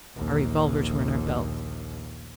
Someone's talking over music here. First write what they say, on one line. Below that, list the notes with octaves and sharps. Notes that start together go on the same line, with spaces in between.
Our revolvers were in our belts.
A#1 D#2